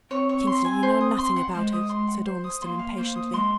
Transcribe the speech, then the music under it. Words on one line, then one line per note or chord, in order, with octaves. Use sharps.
"Kingsley, you know nothing about it!" said Ormiston, impatiently.
C4 C#5
C#5
C6
G#5
C5
D#6
C6
F#5
G#3 C5
D#6
C6
F#5
C5
D#6
A#3 C6
F5
A#3 C5
D#6
G#3 C6